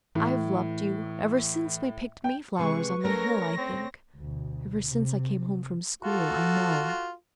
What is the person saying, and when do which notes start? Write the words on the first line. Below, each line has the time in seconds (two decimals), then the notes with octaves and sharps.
I've loved you--ever since we picked mayflowers on the hill, I think--ever since I came home from school, I know.
0.15 A2 E3
2.24 G5
2.59 C3 G#3 B4 C#6
3.05 A3 C#4 A4 A#4 C#5 A#6
3.57 C4
4.17 D2 B2
4.88 C3
6.03 F4 F#4 A4